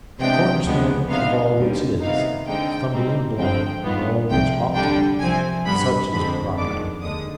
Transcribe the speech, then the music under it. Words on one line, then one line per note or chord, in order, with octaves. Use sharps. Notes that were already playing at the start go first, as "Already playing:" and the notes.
Corner-stone of all which is, stumbling-block of all which ought to be,--such is property.
C3 F3 G#3 B3 D4 G5
D2 D3 F3 G#3 B3
C3 G3 B3 D#4 F5
D#2 D3 G3
C3 D#3 B3 D#4 F5
D3 G#3 C4 D#4 G5
G#2 G3 C4 D#4
G2 D3 F3 G#3 C4 G5
G2 D#3 B3 F4
C2 C3 F3 G5
D3 G3 D4 G5
C2 C3 F3 C4 G#5
G2 D3 G3 B3 B5
F2 D3 G#3 C4 B5
F2 D#3 G#3 B3 D4 D6
D#2 D3 G#3 D#6